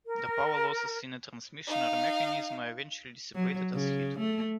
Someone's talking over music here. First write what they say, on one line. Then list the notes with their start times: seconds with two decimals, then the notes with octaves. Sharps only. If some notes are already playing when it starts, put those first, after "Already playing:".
The power losses in a transmission or mechanism are eventually dissipated as heat.
0.06 A#4
1.67 D#4 F5
3.35 F#3
3.74 C#3
4.19 A3